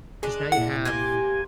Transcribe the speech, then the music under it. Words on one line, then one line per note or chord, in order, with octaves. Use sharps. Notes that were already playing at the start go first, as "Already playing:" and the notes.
'Cause now you have
G#3 D4 G#4
A#2 E4 F#5
C3 A#3 G4 G#5